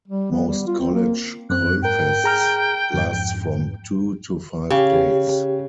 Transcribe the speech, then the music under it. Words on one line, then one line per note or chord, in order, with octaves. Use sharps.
Most college culfests last from two to five days.
G3
B3
G3
F4
C4
A#3
F#2 C4 F#6
G#2 A#4 G5
G#4 A#5 F6
F2 G#2
C#3 G4